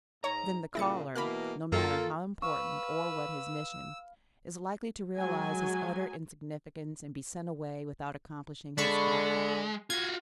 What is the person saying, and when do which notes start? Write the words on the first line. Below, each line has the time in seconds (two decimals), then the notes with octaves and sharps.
Then the caller, no matter how important or what his mission, is likely to realize his utter insignificance and be sent away without accomplishing his object.
0.24 G#2 C#5 A#5
0.75 A#2 C#3 E4 A6 C#7
1.16 B2 E3 A#3 B5 F6
1.72 F#2 A#3 F4 A4
2.42 B4 F5 C#6 E6
5.17 F#3 G#3 G#5
8.78 D3 G#3 A5 B5 C#6
9.90 F4 F#4 G#6